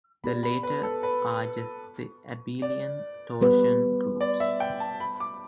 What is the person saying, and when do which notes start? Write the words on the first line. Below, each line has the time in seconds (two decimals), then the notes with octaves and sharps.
The latter are just the abelian torsion groups.
0.24 B3 G4 D5 B5
0.43 B5
0.63 B4
0.83 A4
1.03 B4
2.62 D5
3.41 G3 B3 G4 B4
4.21 D5
4.40 E5
4.60 G5
4.80 A5
5.00 B5
5.20 D6